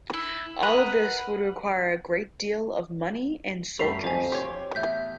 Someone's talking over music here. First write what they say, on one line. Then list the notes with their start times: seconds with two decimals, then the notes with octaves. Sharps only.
All of this would require a great deal of money and soldiers.
0.13 E4
0.63 A#4 B4 D#5 F#5
3.79 F#2 G3 A3 B5 B6 C7 F7
4.04 F2 C5 G#5
4.32 G4 C#5 C6
4.75 E2 A2 E5 G6 B6